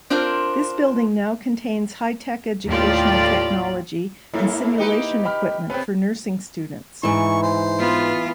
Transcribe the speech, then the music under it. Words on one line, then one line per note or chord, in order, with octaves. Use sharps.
This building now contains high-tech educational technology and simulation equipment for nursing students.
C4 D4 F4 A#4 C5
D#2 A2 F4 G4 D5
G#2 A#3 E4
D#4 G4 B4
G5 B5 F6
C3 B3 C4 B4
G#2 E3 E5 C#6
C5
B3 F4